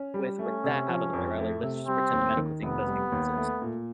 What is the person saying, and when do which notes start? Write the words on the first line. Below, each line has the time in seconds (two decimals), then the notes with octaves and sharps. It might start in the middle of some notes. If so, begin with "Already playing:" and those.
with with that out of the way, right, like, let's just pretend the medical thing doesn't even exist.
Already playing: C#4
0.14 G3
0.39 A3 C#4
0.64 C3
0.88 F3
1.13 F2
1.38 A3
1.63 C3
1.87 G3 C4
2.12 D#2
2.37 D#3
2.62 F1 B3
2.87 G3
3.12 D#2
3.37 A3
3.62 A#2